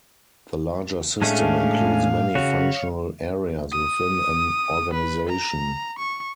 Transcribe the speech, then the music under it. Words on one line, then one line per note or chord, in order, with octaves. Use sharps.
The larger system includes many functional areas within an organization.
A2 G#3 A3 C#4 D4 G#4 F5
C#3 F#4 C#5
D#6
B4
A#5
C#6